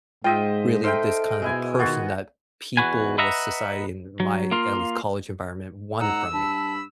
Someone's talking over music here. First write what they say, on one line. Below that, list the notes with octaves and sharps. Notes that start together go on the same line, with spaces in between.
really this kind of a person that people of society in my at least college environment wanted from me.
G#2 G#3 F4 C5 D#5 E5 G5
D#4 A4 C5 E5 F5 G5
B2 G#3 E4 G#5
D#3 B3 F4 F#4
E2 F3 F#4 B4 G#5
B4 D#5 E5 F#5 A#5
F#3
A#3 F4
G#2 F#5 A#5 E6
G2 A5 B5